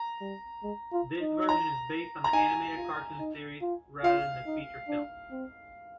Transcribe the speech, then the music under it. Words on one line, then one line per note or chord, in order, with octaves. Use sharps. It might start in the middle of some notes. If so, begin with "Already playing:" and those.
This version is based on the animated cartoon series rather than the feature film.
Already playing: A#5
G3
G#3
F4
D#4
A#5
A#5
D#4 G#5
F4
D#4
F4
F4 F5
D#4
D4
C4